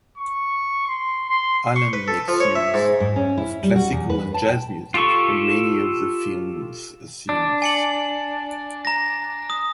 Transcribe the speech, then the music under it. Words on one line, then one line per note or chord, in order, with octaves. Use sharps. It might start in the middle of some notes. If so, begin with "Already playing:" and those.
Allen makes use of classical and jazz music in many of the film's scenes.
C#6
C6
C6
C#6
B4
A4
F3
C#5
E5
G#2
G#2
C#4
E4
G3
F#4
E2
B4
A5
G5
F4 G4 A4 C#6
D4
G#5 C#7 F#7
A#5 A#6
D#6